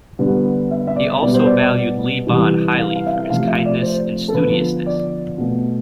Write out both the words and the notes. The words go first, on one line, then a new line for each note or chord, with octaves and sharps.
He also valued Li Ban highly for his kindness and studiousness.
D3 G3 B3
E5
E5
D5
B2 G3 B3 D5
C5
D5
C3 E3 G3
F5
F5
E5
F5
C3 F3 A3 F5
E5
D5
C5
A4
D3 F3 B3 B4
D5
B2 A3